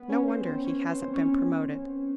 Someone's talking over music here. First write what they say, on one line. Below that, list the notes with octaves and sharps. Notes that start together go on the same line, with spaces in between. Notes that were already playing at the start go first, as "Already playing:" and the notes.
No wonder he hasn't been promoted.
Already playing: B3 B4
C#4 C#5
C4 C5
C4 C5
C#4 C#5
C4 C5
C#4 C#5